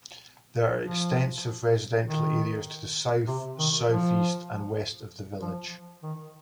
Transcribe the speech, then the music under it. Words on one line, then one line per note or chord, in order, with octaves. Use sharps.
There are extensive residential areas to the south, southeast and west of the village.
F3
D#3
C3
D#3
F3
F3
D#3